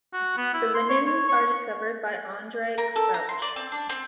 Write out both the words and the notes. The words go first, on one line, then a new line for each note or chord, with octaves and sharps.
The Winans were discovered by Andrae Crouch.
F#4
B3
E4
C6
C#5
C#5
C#6
A#4
A4
A#5
C6
D5
C4
D4
C4